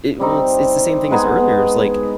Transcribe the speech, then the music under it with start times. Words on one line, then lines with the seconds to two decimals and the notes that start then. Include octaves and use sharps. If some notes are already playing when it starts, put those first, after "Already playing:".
It well, it's it's the same thing as earlier, is like,
0.20 G3 C4 D#4
1.11 G#3 B3 D#4 G#4